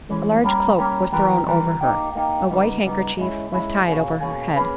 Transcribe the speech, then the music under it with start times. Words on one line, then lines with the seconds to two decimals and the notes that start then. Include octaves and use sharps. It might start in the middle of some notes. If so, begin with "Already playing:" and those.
A large cloak was thrown over her; a white handkerchief was tied over her head.
0.09 E3 G#3 C#4
0.44 G3 A#3 C#4 G4 A#4
0.78 G3 A#3 C#4 G4 A#4
1.12 E3 G3 B3 G4 A#4
1.46 E3 G3 B3 G4 A#4
1.81 A#3 D#4 G4
2.15 A#3 D#4 G4
2.49 C#3 G3 B3 D#4
2.83 C#3 G3 B3 D#4
3.18 G#3 C#4 E4
3.52 G#3 C#4 E4
3.86 B2 A#3 C#4 G#4
4.20 B2 A#3 C#4 G#4
4.55 A#3 C#4 G#4 B4